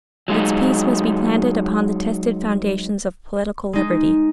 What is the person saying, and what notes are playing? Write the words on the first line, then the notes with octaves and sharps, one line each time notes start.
Its peace must be planted upon the tested foundations of political liberty.
F#3 G#3 D#4
G#3 D#4